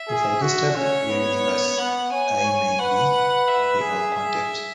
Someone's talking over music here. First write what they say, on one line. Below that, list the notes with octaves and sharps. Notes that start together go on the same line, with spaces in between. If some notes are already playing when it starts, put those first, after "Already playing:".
If I disturb your universe I may be worthy of contempt.
Already playing: E5
G#4
F#4
C#4 C#5
B3
B3 F#5
C#5 G#5
C#5
B4 F#5
E5
G#4
E5